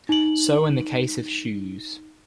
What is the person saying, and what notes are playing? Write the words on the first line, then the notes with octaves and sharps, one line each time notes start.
So in the case of shoes.
D#4 F#7